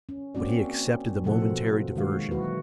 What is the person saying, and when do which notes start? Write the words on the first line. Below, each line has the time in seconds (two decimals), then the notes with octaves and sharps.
But he accepted the momentary diversion.
0.09 C#4
0.35 A#3 C4 C#4 F#4 D5
1.24 B2 D3 F3 A#3 A4 F#5
1.96 D#3 G#3 F#4 F5
2.31 E3 F#3 A#3 E4 F#4 B4